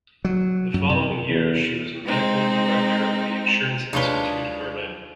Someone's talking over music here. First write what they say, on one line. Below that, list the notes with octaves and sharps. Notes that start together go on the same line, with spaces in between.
The following year she was medical director of the Insurance Institute Berlin.
F#3
F#2
C3
E2
G#3 C4 D#4
D#2 G#3 D4 D#4 F4 B4 C#5 G7